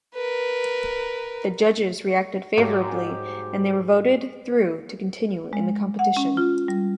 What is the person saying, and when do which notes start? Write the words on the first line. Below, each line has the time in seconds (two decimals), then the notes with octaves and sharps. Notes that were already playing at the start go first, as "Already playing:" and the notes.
The judges reacted favourably and they were voted through to continue in the competition.
0.15 A#4 B4
2.58 G#2 F#3 G3 A3 F4 G4
5.53 G#3
5.99 F#5
6.17 C#4
6.37 F4
6.68 G3